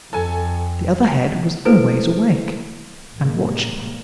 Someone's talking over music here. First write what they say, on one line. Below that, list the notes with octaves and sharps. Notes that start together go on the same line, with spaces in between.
The other head was always awake--and watching.
F2 A4 G#5
E4 A4 B4 C5 D7
A1 C3 G3 G#3 A#3